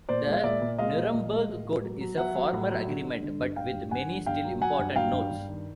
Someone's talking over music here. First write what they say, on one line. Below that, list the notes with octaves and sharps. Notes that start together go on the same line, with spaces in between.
The Nuremberg Code is a former agreement, but with many still important notes.
A#2 C5 D5
G#3
F5
A#2 D5 E5
A#2
G#3 D#5 F5
A#2
A#2
G#3
A2
A2
F#3
F#3
F#3 E5 F#5
F#3
A2
F#3
D3
D3
D3
G2
G2 F5 G5
G2
G2 F#5 G#5
D3
G2 F5 G5
F#3
F#3 F#5 G#5
G2
F#3 F5 G5
G2
G2
D#3